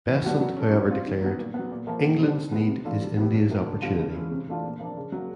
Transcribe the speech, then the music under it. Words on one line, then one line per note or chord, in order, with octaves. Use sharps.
Besant however declared, "England's need is India's opportunity".
E3
G3 B3 D4 F#4
F#3
A3 C#4
G3
C4 F4
D#3
F#3 B3
A#2
B3
F#3
A#2
F3 A#3
A#2
G3 C4
D#3
G#3 B3 E4
C3
E3 A3 D4 F4
G3
B3 E4 G4
A2
F#3 A#3
D3
G3 B3 D4 F4
C#3
E3 G#3 C#4
C3
E3 A3 D4 F4
A#2
F3 A#3 D4
C#3
F#3 A#3